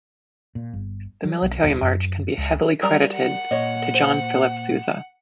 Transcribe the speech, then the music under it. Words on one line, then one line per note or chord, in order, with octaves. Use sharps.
The military march can be heavily credited to John Philip Sousa.
A#2
G1
F#3
B1
D#1
F#2
C#2
G3 A#4 D5 A#5
F#5
A#2 C#5 D#5
C5